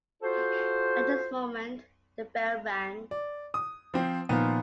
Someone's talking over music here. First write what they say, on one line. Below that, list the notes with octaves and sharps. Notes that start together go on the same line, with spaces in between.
At this moment, the bell rang.
F4 F#4 A4 C5
D5
D#6
F3 C4
A#2 D#3 F3 B3